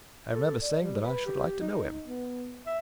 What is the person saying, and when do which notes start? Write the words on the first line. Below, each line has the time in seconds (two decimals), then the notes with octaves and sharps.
I remember saying that I should like to know him.
0.32 A4
0.62 D5
0.81 G3
1.03 B4
1.26 G4
1.60 D#4
2.04 B3
2.67 E5